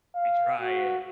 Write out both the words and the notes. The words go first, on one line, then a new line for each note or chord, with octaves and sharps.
We try it.
F5
F#4